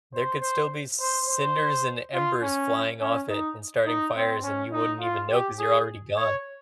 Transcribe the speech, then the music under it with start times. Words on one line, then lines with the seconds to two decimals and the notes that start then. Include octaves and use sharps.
There could still be cinders and embers flying off it and starting fires, and you wouldn't even know 'cause you're already gone.
0.14 C5
0.41 C5
1.00 C5
1.28 C5
2.14 F4
2.43 C#4
3.00 C#4
3.29 D#4
3.86 D#4
4.16 C4
4.43 C#4
4.72 D#4
5.00 F4
5.30 G4
5.59 G#4
6.16 C#5